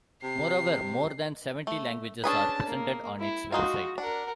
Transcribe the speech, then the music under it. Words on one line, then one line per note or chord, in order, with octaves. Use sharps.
Moreover, more than seventy languages are presented on its website.
C3 C7
A3
C#4 D4 G#4 B4 A5
A#3
E4
G#3 D#4 F4 F#4
D4 A#4 F#5